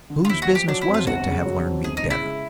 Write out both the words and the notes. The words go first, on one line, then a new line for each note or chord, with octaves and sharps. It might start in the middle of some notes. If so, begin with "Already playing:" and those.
Whose business was it to have learned me better?
D3
F4
D#2 E4
F#4
F3
G4
F#3 D4
E4
F2
F4
G1 F#4
C#3
F#3
F2
G1 G#4
D#4
C#3
E4
G#3